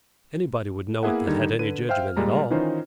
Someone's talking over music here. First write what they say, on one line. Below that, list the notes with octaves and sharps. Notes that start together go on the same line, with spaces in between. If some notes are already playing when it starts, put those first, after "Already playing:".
Anybody would know it that had any jedgment at all.
A#3 B3 E4 G#4 E5 F#5
D3 D#3 G3 D#4 G#6
D3 B4 D#7
C5 E5 F5 G5 F6
A#2 G3 G#3 A#5
D#3 E3 C#4 D#4 F4 C5